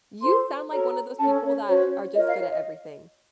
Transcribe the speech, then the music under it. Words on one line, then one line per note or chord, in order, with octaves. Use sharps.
You sound like one of those people that are just good at everything.
F4 A4 C5 C6
F#4 A4 C#5 A#5
C#4 A4 C#5 A5
C#5
C#4 F#4 C5 C#5
F4 A#4 C#5 D#5
F5
C#5
D#5